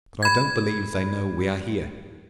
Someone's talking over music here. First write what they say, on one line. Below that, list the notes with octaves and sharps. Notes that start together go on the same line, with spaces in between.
But I don't believe they know we are here.
B5 G#6